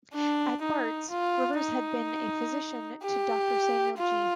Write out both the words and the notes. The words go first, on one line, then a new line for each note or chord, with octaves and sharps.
At Bart's, Rivers had been a physician to Doctor Samuel Gee.
D4
D#4
F4
D#4
G4
F4